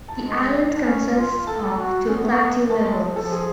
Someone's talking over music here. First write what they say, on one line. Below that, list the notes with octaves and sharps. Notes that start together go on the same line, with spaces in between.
The island consists of two plateau levels.
A5
G#3
D4
C#4
F4
A4 A5
F#4
C#4
B3
A3
B3
A3 A5
G#3 A5
F3 A4
G#4